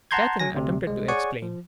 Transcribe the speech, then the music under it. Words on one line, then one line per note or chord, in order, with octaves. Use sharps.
Catherine attempted to explain.
F#5 A5 A#5 C6 G6 G#6
F#3 G#5 A#6
D2 C3
C2 G#3
G#4 C#5 D5 F#5 G#5 C#6
F3